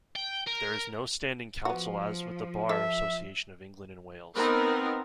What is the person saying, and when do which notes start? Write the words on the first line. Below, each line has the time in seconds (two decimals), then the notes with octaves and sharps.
There is no standing council as with the Bar association of England and Wales.
0.16 G5
0.47 A#4
1.65 F3 B3 F#4
2.69 A4 E5
4.36 B3 C4 D#4 A#4